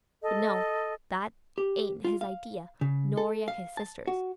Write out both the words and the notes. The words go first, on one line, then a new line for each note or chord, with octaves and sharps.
But no, that ain't his idea, nor yet his sister's.
A4 D#5
G4
F4
F5
C#3
A4
F5
A5
F#4